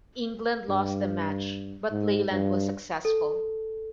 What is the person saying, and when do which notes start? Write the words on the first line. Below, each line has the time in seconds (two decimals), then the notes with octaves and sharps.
England lost the match, but Leyland was successful.
0.68 G2
1.91 G#2
2.32 G2
3.05 A4